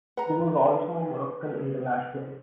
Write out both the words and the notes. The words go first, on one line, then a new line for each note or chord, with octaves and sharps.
He was also a Moroccan international.
B4 F#5 A#5